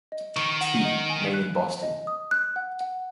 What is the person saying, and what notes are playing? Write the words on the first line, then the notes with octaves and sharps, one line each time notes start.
T. Main in Boston.
D#5
D#3 C#6
F#5
D#5
G#5
F#6
G#5
D#5
D#6
F#6
F#5
F#5